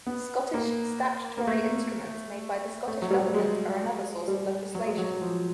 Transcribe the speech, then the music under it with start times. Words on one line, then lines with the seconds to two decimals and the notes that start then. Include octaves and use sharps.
Scottish Statutory Instruments made by the Scottish Government are another source of legislation.
0.07 B3
0.54 A#3
1.37 A#3
1.47 A3
2.88 A3
3.02 F#3
3.10 G3
3.34 G#3
4.28 G3
4.75 F#3
4.86 G#3
4.98 F#3
5.22 F3